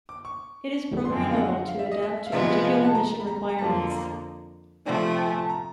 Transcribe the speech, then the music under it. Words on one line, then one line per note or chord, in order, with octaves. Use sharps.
It is programmable to adapt to particular mission requirements.
D6
C#6
F#2 D3 F3 G#3 C6
F5
F#5
F5
E5
D#5
E5
F5
C3 F3 G#3 B3 E5
F5
A5
A#5
B5
A#5
A#5
F2 D3 F3 A#3 A5
A#5
C3 F3 A3
G5
G#5
A5
A#5